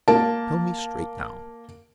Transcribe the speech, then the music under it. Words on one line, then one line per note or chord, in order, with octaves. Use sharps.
Tell me straight, now!
A#3 A5